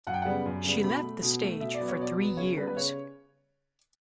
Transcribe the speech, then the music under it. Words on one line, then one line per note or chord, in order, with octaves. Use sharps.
She left the stage for three years.
F#2 F#5
G5
C#3 G3 B3 F#5
F#2
C#3 G3 B3
B2 B5
A3
B2
A3
B2 E5
D5
F#3 B3
C#5
B2 D5
F#3 B3
C#3 C#5
G3 B3 B4
B4
C#3 C#5